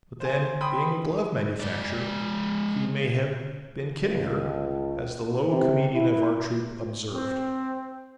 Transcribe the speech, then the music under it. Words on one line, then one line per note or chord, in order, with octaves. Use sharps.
But then, being a glove manufacturer, he may have been kidding her, as the low comedian of our troupe observed.
C5 G#5
G5 B5 C6 D#6
G#3 D5
C#2
C3
E4
C4